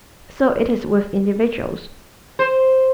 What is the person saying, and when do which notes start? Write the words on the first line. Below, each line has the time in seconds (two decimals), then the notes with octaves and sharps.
So it is with individuals.
2.39 C5